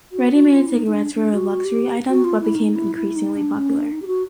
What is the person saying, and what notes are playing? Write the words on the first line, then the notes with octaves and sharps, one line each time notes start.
Readymade cigarettes were a luxury item, but became increasingly popular.
F#4
F#4
F4
E4
D#4
D#4
D4
D4
F#4
G4
F#4
F4
E4
D#4
E4
E4
D#4
D4
C#4
D4
D#4
G4
F#4